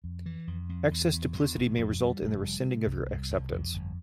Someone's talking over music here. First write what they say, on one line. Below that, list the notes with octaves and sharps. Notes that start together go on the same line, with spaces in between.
Excess duplicity may result in the rescinding of your acceptance.
F2
E3
F2
F2
E2
E2
E2
E1
F2
G3
F1
G3
C3
C2
C2
C2
F2
G1